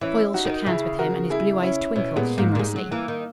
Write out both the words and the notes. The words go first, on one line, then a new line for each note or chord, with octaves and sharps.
Foyle shook hands with him, and his blue eyes twinkled humorously.
E3 C#4 E4
D#4 F#4
D#3
C#3 E4 G#4
F#4 A#4
E4 G#4
C#4 E4
B2 C#4 E4
A#2 G#3 B3
G#2 A#3
A#2
G#2 G#3
F#3
E3 A#3
D#3